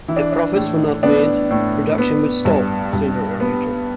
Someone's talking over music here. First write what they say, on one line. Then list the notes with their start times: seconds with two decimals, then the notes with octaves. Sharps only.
If profits were not made, production would stop sooner or later.
0.08 E3 E4
0.16 D4
0.32 D4
0.56 A2
1.03 B3 D4
1.51 A2
1.98 B3
2.45 G2
2.93 G2
3.40 B3